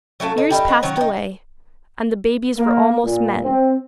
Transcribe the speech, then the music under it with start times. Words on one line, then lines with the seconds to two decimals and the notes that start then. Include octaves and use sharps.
Years passed away, and the babies were almost men.
0.20 F#3 A3 A4 F5
0.38 D#4
0.50 G3 D#4 E4 G4
0.68 B3 C4 D#4
0.83 D#3 F#3 C#5
0.97 D#4 G4
2.57 A#3
3.05 A#2
3.44 C4